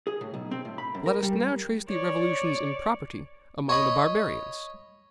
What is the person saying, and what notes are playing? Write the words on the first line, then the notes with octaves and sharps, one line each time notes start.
Let us now trace the revolutions in property among the Barbarians.
G#4
A2
B1
C4
A2
B5
F#2
A#4
G3
C#5 D5
C#5 D#5 B5